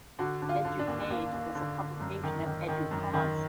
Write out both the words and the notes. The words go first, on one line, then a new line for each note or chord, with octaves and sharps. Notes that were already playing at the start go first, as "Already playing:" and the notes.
Edupage was a publication of Educause.
D3 F#4
D3
F4
D3
D4
D#2
D#2 A#3
D#2
D3
D3
F#2
D#3
D#3
D#3
F#2
D#3